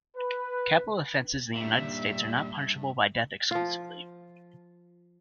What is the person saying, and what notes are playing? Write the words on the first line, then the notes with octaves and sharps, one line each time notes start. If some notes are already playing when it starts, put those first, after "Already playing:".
Capital offenses in the United States are not punishable by death exclusively.
B4
G2 A#2 G3 A#3 D4 E5 F5
F3 F4